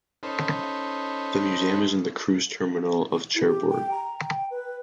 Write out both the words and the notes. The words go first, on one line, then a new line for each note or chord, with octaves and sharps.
The museum is in the cruise terminal of Cherbourg.
C#4 D#4 A4 B4 C5
E4
G4
G5
A#5
G5
B4